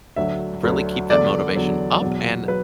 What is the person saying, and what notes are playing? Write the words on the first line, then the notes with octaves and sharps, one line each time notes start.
really keep that motivation up and
D2 D3 F#3 E5
D2 D3 F#3
E2 D3 F#3 D5
E2 D3 F#3
E2 B2 F#3
F#3 B4